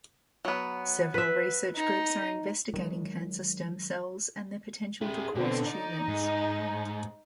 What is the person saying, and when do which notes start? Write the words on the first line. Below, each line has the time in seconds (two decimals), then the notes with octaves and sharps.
Several research groups are investigating cancer stem cells and their potential to cause tumors.
0.45 F#3 B3
1.14 B4 E5
1.76 D#4
2.74 D#3 F#3 G#3
5.01 E4 G4 G#4
5.35 B2 D3 C4
5.67 D#4 D5
6.08 G#2